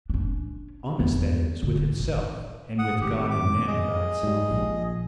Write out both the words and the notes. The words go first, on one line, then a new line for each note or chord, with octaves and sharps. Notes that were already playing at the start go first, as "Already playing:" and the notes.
Honest, that is, with itself, and with God and man about itself.
C#4 D4
E2
D3
A1
F#5 D#6
G#1 G4
D6
G#4 D#5
G#2 G3
A#1